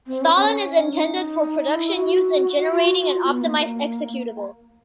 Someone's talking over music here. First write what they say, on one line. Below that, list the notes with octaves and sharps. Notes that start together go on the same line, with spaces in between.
Stalin is intended for production use in generating an optimized executable.
C4
C#4
C#4
D4
D#4
E4
F#4
F#4
F4
F#4
F#4
F4
B3
A#3